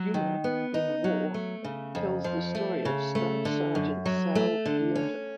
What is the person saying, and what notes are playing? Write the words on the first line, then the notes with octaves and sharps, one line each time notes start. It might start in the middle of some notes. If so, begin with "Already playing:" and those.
Junger in "War", tells the story of Staff Sergent Sal Giunta.
Already playing: F#3
D#3
B3
D#4
F#3
A3
C#3
F2
F3
A3
C#3
A3
D3
F#2
F#3
A3
D3
C#4